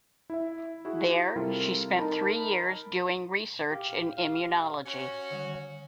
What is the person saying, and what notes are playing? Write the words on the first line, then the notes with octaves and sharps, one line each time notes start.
There she spent three years doing research in immunology.
E4 E5
E4 F#4 G#4
C3 G3 E4 F4 A4 A#4
D#4 A#4 A5 B5
G4 F5
F5
C#4 F#4
D3 D#3 G3